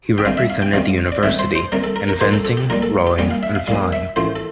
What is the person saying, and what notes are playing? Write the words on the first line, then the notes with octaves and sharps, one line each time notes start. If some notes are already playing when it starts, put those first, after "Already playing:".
He represented the university in fencing, rowing and flying.
G5
D2 C3 G3 F5
E5
F5
G5
D2 C3 G3 F5
D5
D2 C3 G3 E5
C5
C5
D2 C3 G3 A#4
A4
A#4
A#4
A#1 A#2 G3 C5
A4
A4
G4
A#1 A#2 G3 A#4
A4
G4
A#1 A#2 G3 G4
F5
E5
F5
A#1 A#2 G3 F5
E5
A1 A2 F3 A3 C5
A4